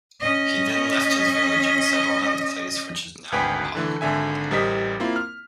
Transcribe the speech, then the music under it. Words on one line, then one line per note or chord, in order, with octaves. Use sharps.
He then left his village and settled in the place which is now Paga.
C#4 D#5
G#1 D2 B4 G5 G#5 B6
D3 E3 A3
G#1 D3 E5 G#5
A1 G3 A#4 C5 D#5 B6
A#3 C4 E4 F4
F6